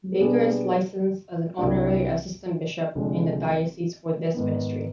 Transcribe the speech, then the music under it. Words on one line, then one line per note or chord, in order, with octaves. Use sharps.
Baker is licensed as an honorary assistant bishop in the diocese for this ministry.
B2 G3 B3 D4 G#4
C2 C3 G3 D4
F1 F2 D3 G#3
G#2 D#3 B3